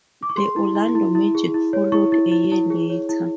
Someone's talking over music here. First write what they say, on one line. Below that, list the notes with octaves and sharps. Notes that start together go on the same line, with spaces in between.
The Orlando Magic followed a year later.
D6
C#6
G#4 C6
E4
E4
E4
E4
G#4
E4
C#5
E4 C#6
E4
E4
E4
G#4
C#5
E4